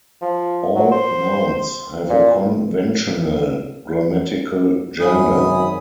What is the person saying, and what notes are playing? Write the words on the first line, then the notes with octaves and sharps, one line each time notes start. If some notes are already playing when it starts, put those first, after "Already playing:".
All nouns have a conventional grammatical gender.
F3
F#3
C5
A#2
G#1 F#2 G#5 B5 D#6